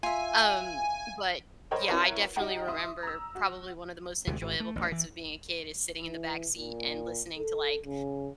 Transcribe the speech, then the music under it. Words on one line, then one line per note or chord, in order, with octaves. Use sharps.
Um, but yeah, I definitely remember probably one of the most enjoyable parts of being a kid is sitting in the backseat and listening to like,
F4 E5 G#5
A#4 C5 C#5 D#5 G5 B5
C4 E4 F#4 A#4 B4 C#5
D#4 F#4 G4 F#5 G5 A#5
E5 C6 D#6
A#5 E6
F#4
D2 C3 G#3
G#1
A3
A1 D2
E3
E3
A#2
A4
C#3